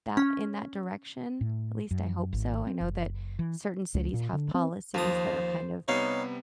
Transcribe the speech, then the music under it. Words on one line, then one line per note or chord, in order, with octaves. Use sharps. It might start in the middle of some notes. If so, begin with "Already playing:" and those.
that in that direction, at least I hope so, I know that certain cities have policies that are kind of
C#4
A2
F#2
G#1
C4
F#1
E3
C#2
A#2
D3
C4
D#2 F3 C5 A5 D#6
C3 G3 B3 D#4 C#5 F5